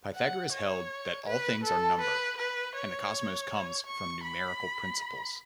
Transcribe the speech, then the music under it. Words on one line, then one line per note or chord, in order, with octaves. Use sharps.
Pythagoras held that all things are number, and the cosmos comes from numerical principles.
F#5
C#5
B4
A4
B4
B4
C#5
C#6
B5